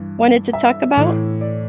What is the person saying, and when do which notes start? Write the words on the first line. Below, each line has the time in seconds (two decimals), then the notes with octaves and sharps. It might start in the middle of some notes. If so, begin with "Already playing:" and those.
wanted to talk about?
Already playing: G2 E3
0.53 E5
0.97 A2 E3
1.41 D5